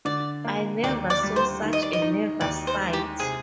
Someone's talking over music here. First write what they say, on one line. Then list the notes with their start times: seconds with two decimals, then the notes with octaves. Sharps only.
I never saw such a nervous sight.
0.05 D3 D5
0.45 A#3
0.83 D#2 D5
1.10 D5
1.23 G3
1.36 C5
1.62 D#3
1.73 D#5
1.83 D5
1.93 D#5
2.02 D#4
2.41 D#2 D5
2.67 C5
2.80 G#3
2.93 G4
3.20 C3 G#4